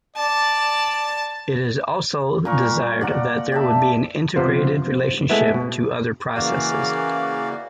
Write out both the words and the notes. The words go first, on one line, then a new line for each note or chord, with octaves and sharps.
It is also desired that there would be an integrated relationship to other processes.
D5 A5
A#2 A#4 C#6
G3
D5 F#5 A#5
G4 E5 A5
C3 F3 B3 F4 C5
G#3 A3 B3 E4
B2
C#3 E3 A#3 F#4 D5 F5